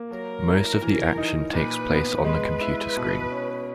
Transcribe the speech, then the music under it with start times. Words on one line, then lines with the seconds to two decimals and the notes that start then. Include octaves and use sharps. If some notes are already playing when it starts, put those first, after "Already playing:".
Most of the action takes place on the computer screen.
Already playing: A#3
0.11 F#3 A#4
0.47 E4
0.82 E3
1.17 D#4
1.53 A#2 B4
1.89 B3
2.24 G#3 B4
2.61 E4
2.96 B2
3.32 C#4